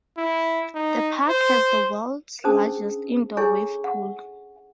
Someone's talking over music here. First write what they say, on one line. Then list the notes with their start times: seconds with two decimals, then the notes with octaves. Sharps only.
The park has the world's largest indoor wave pool.
0.18 E4
0.75 D#4
1.29 C5
2.44 C#4 D4 G#4 C5 A5 D#6
3.37 E4 G#4 A4 C#5 G#5 C#6
3.84 F#5